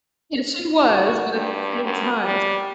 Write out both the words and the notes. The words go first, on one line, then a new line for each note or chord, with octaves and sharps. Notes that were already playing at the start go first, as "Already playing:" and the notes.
Yes, she was, but at the same time, it's
F#4
G2
F#2
G3